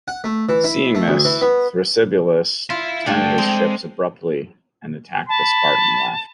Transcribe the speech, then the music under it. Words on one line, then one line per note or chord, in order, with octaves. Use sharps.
Seeing this, Thrasybulus turned his ships abruptly and attacked the Spartan left.
F#5
A3
E3
E4
A3
D2
E3
B3
F4 E5 B5
D3 A3 D4 A4 G5 G#5
G#3 C4
A5 B5